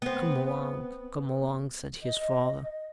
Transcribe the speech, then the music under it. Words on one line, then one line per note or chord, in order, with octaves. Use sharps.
"Come along, come along!" said his father.
B3 C4
D#5